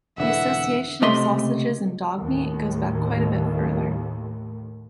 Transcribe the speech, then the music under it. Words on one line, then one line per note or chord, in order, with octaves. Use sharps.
The association of sausages and dog meat goes back quite a bit further.
E1 D3 E3 E5 F#5
C#2 C3 A3 D#5 E5 C6
D#2 A2